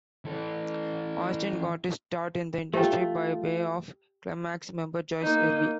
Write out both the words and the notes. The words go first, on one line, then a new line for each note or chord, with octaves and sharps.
Austin got his start in the industry by way of Klymaxx member Joyce Irby.
E3 A4
A3 F4 G4 G5
A#3 D#4